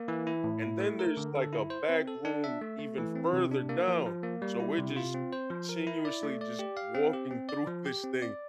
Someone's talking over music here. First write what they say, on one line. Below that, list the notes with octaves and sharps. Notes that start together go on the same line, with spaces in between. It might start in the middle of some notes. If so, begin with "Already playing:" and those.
and then there's, like, a back room even further down, so we're just continuously just walking through this thing,
Already playing: A#3
E3
E4
A2
E4
A3
A#4
D3
A4
E4
C5
C4
A4
D4
E5
A3
A3
E3
C4
C3
D4
A#3
F3
F3
A#3
G3
E4
C3
F4
C4
C5
F3
A#4
E4
D5
A3
D5
G4
F5
C4
G4
C4
D5
F3
G4
C4
D5